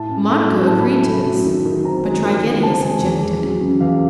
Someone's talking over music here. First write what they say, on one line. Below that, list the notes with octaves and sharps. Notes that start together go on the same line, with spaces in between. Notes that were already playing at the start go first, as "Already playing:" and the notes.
Monica agreed to this, but Trigetius objected.
Already playing: A2 A5
C#4
A3
F#3
A2 A5
B5
C#4
A3
F#3
D#3
D#3
C4 A#5
G#3
D#3
D#3
C4 A5
G#3 G#5
E2
E2
F#3
C#3
E2 F5